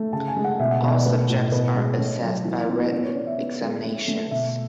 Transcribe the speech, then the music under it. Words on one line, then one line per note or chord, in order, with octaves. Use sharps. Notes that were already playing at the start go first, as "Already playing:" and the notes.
All subjects are assessed by written examinations.
Already playing: A3
C#3 A5
G#5
G#3
F#5
B2 E5
F#5
B2 E5
D5
A3 B4
A2
B2 B4
G#3
A3 C#5
F#3
E3
B3
B3 D5
C#5
B3 D5
E5
B3
G#3
A3
A3
B2 E5